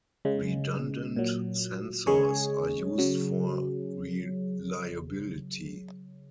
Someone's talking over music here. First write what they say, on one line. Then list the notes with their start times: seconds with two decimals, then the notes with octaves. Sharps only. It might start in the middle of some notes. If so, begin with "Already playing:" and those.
Redundant sensors are used for reliability.
0.25 C#3 G#3
1.16 A#2 F#3
2.07 C#3 G#3 G#4 C#5
2.98 C#3 F#3